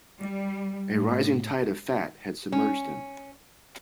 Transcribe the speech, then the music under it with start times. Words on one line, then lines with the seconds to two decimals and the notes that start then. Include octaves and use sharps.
A rising tide of fat had submerged them.
0.20 G3
0.91 A2
2.52 C#4